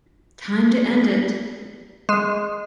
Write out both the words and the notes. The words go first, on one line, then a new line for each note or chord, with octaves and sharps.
Time to end it!
G#3